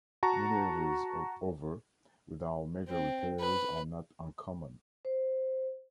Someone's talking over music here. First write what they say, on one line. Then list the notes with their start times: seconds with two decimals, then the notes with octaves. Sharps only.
Mileages of over without major repairs are not uncommon.
0.23 F#4 A5 A#5 C#6
2.88 C4
3.40 B4
5.05 C5